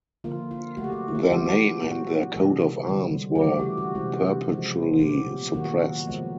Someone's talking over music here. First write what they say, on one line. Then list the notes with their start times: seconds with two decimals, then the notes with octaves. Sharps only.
Their name and their coat of arms were perpetually suppressed.
0.24 D3 F3 A#3 F4
0.51 F4
0.77 C#3 F#3 A3 F#4
0.84 G4
0.92 F#4
1.08 E4
1.15 F4
1.23 F#4
1.30 C#3 E3 G#3 G4
1.83 A#2 F#3 B3 F#4
2.36 C3 E3 G#3
2.89 D3 G3 C4
3.35 G4
3.42 C#3 E3 A3 F#4
3.60 G4
3.77 F#4
3.95 C3 E3 G#3 C4
4.48 C#3 F3 G#3 C4
5.01 A#2 F#3 B3 G4
5.54 D#3 F#3 A#3 F#4
6.07 C#3 F3 G#3 B3